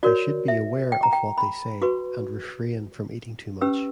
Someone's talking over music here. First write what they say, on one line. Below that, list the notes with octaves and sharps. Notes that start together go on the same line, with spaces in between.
They should be aware of what they say, and refrain from eating too much.
F#4 A#4 C#5 D5
E5
G5
A#5
G5
B5
F#4 B4 C#6
C#4 G4 B4 E6